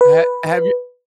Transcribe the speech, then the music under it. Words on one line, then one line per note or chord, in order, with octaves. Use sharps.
ha have you
B4